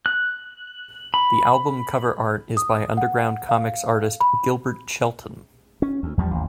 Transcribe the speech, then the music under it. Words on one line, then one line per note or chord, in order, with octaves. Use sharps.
The album cover art is by underground comix artist Gilbert Shelton.
F#6
B5
D#6
F#5
F5
B5
C#4
D2
E2 F3 G3
A1 D#2